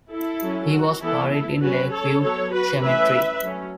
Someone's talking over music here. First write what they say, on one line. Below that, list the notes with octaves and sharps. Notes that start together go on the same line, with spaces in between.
He was buried in Lake View Cemetery.
E4 A4
F#3 C#4
F#4
E3 B3 E4 A4
E4 A4
F#3 C#4 F#4 B4
A4 C#5
F#3 B3 A4 C#5
F#4 B4
E3 A3 C#4 B4 E5
F#3 A3 C#4